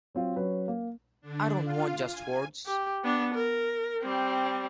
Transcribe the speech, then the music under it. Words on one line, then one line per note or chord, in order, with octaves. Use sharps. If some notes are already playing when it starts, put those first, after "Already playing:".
I don't want just words.
F#3 C4 F4
F#3 C#4 B4
A#3
D3 D4
F4 F5
G#5
G4
B3 D4
A#4
G3 C4